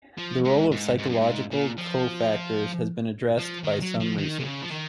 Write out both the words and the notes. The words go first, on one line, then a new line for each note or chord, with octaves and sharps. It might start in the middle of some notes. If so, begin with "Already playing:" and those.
The role of psychological co-factors has been addressed by some research.
F3
G#2
G#2
G#2
F#2
G#2
A#2
F3
F3
D#3
F#3
F3
D#3
C3
C#3
F3
D#3